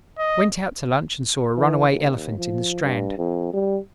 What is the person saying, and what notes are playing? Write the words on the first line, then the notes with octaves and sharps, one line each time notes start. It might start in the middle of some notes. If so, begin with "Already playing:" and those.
Went out to lunch and saw a runaway elephant in the Strand.
D#5
E3
D#2
F3
G2
F2
G3